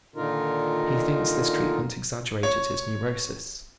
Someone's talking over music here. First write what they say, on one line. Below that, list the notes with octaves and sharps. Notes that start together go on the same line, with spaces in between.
He thinks this treatment exaggerated his neurosis.
A#2 D3 D#3 D#4 F4 A#4
C#5